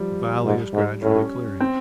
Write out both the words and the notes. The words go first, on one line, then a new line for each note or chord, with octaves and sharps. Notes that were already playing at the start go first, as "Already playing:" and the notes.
The valley is gradually clearing.
Already playing: F3 G3
G#2
G#2
A2 C#4
C4